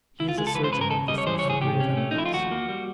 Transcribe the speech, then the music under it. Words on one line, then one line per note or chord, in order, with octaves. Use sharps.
He is a surgeon of the first degree of eminence.
C#2 E4
F4
G#3 G#4
A4
E3 B4
C5
C#3 B4
A#4
D#2 A4
G3 D#5
C#5
E3 C5
C#5
C#3
G#4
C3 G4
C#4
A3
D#4
F3 E4
F4
D#2 F#4
A#3
G3